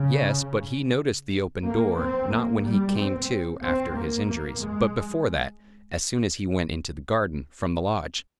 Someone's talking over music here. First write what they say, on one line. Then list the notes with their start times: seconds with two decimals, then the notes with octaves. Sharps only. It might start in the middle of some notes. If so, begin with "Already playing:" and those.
"Yes, but he noticed the open door, not when he came to after his injuries, but before that, as soon as he went into the garden from the lodge."
Already playing: C#3
1.65 A#3
1.99 C4
2.31 A#3
2.64 G3
2.97 C4
3.62 C4
3.95 A#3
4.29 A#3
4.61 G#3